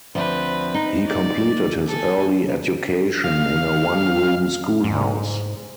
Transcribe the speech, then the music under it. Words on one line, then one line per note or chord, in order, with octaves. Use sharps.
He completed his early education in a one-room schoolhouse.
D2 F3 C4 B4
D#4
D5
A4 G#5
F5
G#2